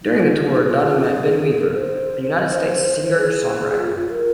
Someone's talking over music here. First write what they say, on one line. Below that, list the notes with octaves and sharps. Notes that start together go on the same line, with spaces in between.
During the tour Donna met Ben Weaver, a United States singer-songwriter.
D#4
F4
D#4
F4
D#4
F4
G#4
A#4
C5
C5
D#5
C5
G#4
G#4
F4
F4
A#4